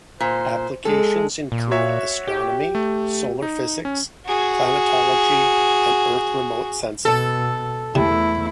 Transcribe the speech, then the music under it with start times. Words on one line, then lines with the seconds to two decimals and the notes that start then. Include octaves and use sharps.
Applications include astronomy, solar physics, planetology, and Earth remote sensing.
0.21 A#2 C5
0.85 G#3 A4
1.52 A#2
1.71 F#4 C#5 E5
2.27 G4
2.75 A3
3.42 D#4
3.85 C#4
4.26 F#4 G#4
7.05 B2 A4
7.95 E2 C3 A3 E4